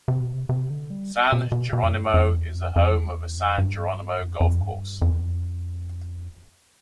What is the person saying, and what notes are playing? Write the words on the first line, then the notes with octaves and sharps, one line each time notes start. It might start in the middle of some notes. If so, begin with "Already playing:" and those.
San Geronimo is the home of the San Geronimo Golf Course.
C3
B2
C3
C3
D3
G3
B2
B2
B2
F2
G2
F2
E2
F2
F2
E2
F2
G2
F2
F2
G2
F2
E2
F2